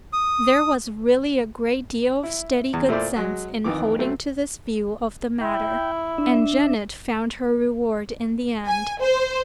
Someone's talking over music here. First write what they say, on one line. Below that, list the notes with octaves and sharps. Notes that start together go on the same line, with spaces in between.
There was really a great deal of steady good sense in holding to this view of the matter, and Janet found her reward in the end.
D#6
E4
E2
A#2 A3 E4 C5 D5
F#3 G#3
F2 D#3 E3 D6
F#3 A3 C4
E4 G5
D4 E5
G#5
C5